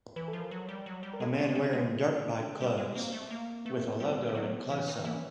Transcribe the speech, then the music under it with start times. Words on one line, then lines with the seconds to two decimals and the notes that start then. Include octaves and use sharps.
A man wearing dirt bike clothes, with a logo in closeup.
0.16 E3 B4
0.28 A4
0.33 F3
0.39 A#4
0.51 F#3
0.69 G3
0.86 F#3
1.03 G3
1.13 A#4
1.20 G#3 A4
1.38 A3
1.49 G#3
1.55 A3 G#4
1.73 G#3
2.25 D4
2.61 G3
2.78 G#3
2.95 A#3 C4
3.13 A3
3.31 A#3
3.65 A3 B3
3.77 A#3
3.88 B3
4.00 G3 C4
4.27 G3
4.35 F#3 B3
4.70 E3
4.88 D#3
5.05 E3 A#3
5.15 C#4